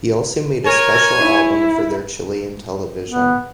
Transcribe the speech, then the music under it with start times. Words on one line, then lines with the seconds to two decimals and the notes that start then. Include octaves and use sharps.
He also made a special album for their Chilean television.
0.65 A#4 C#5 G#5
1.19 E4
3.08 B3